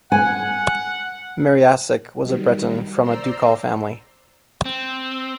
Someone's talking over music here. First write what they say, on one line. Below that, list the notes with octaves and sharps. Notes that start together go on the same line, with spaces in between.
Meriasek was a Breton from a ducal family.
F#5 G#5
D#3 F#3 G3
C5 D5 A#5 C6 E6
C4